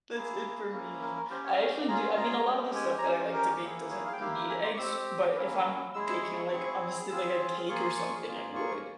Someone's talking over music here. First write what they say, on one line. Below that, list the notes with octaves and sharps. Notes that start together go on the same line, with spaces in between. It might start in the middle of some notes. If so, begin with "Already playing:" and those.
That's it for me. I actually do. I mean, a lot of the stuff that I like to bake doesn't need eggs. But if I'm baking, like, obviously, like a cake or something, I would.
A#3 E4 G#4
A#3 C#4 E4
A#4
A#4
C#4 G4 C5
C#5
F5
C#4 F4 G#4 A#5
C6
A#5
G#5
A#5
G#3 C#4 G4
G#5
A#5
C#4 G4 G#5
C5
A#4
A#3 E4 G#4
C#5
F5
G5
A#3 E4 G4 F5
G#5
C6
C#6
C4 G4 E6
A#3 C#4 E4
G#3 E4 G#4 E6
E6
C#6
C#6
C4 E4 G#4 C#6
C4 F4 G#4 E6
A#3 F4 G#4 C#6
C6
C#6
A#3 F4 G#4
C#6